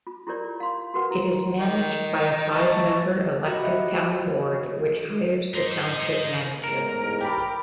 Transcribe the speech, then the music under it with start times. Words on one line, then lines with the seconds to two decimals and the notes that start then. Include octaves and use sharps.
It is managed by a five-member elected town board, which hires the township manager.
0.07 F4
0.27 E4 F4 G4 A#4 C#5 D5
0.60 F5 C6
0.94 F#4 G4 A#4 B4 F#5
1.11 E4
1.56 D#3
2.51 D#5 A5 C#6
3.44 F#4 G4 D#5 E5 B5
5.54 D#4 C5
6.64 A1 E2 G#2 A#4
7.21 G4 A4 B5